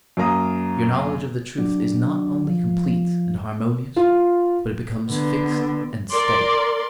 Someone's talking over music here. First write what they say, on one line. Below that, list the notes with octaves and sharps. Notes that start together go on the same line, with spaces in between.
Your knowledge of the truth is not only complete and harmonious, but it becomes fixed and steady.
F#2 A#3 A#5 D#6
F#3 D4
F3
F4
D3 B3
A#4 D5 C6